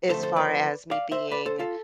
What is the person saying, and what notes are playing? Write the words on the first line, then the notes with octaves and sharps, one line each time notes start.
as far as me being,
F2 D3 F3 A3 A4 C5
A4 C5
B4 D5
D5 F5
C5 E5
B4 D5
A4 C5
F4 A4